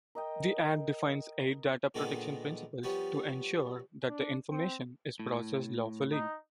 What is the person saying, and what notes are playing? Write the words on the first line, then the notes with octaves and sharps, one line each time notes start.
The Act defines eight data protection principles to ensure that information is processed lawfully.
A#4 D#5 G5
A#2 D3 D#3 G#3 A#3 B3
F3 G3 B3 C#4
D4
C4
A2
D#4